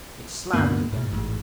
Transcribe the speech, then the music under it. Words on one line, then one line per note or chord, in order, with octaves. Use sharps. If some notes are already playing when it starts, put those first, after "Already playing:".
It slammed again.
D2 G2 A#3 B3
G#2 B2
A1 G#2